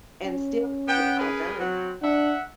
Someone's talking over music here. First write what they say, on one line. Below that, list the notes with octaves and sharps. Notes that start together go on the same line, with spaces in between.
and still get it all done.
C#4
B3 G5
G#4 A#4 B4
F#3 C4
D4 E5 F#5